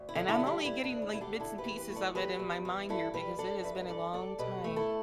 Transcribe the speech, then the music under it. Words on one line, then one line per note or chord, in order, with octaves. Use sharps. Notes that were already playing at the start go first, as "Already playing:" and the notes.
And I'm only getting, like, bits and pieces of it in my mind here because it has been a long time
Already playing: D2
E4
D3
E4 A4
G3
D4 G4
B3 E4
D4
D2
E4
D3 E4
D4 G4
E2 E4 A4
G4 B4
E3
G4 B4
A3
A4 D5
E2 G4 B4
E2
E3
G2 E4 A4
G3 G4 B4
D4 A4 D5
G2 B4 E5
B4
G2 A4 D5
G3 A4 D5
B2 G4 B4
A3
E4 A4